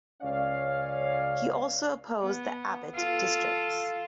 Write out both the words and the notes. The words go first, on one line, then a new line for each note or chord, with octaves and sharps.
He also opposed the Abbott districts.
C#2 C#4 C#5 D5 F5
B3
F4 A4